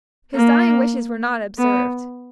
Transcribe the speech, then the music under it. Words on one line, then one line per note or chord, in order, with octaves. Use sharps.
His dying wishes were not observed.
A#3
B3